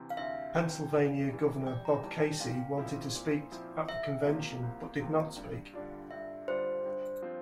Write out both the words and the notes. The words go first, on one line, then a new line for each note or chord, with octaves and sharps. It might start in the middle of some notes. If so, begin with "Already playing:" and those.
Pennsylvania Governor Bob Casey wanted to speak at the convention, but did not speak.
Already playing: D2 C3 E3
F5
D2 E5
C3 E3 G5
E2
E3 G3
E2 G5
A#5
G5
E3 G3 A5
G5
A#2 F5
F3 C4 E4
A#2
F3 C4 E4
C2 E5
C3 F3 A#3 F5
C2
C3 F3 A#3
G2
D3 G3 D4 F4
G2 E5
D3 G3 D4 F4 C5
G2
F3 C4 F4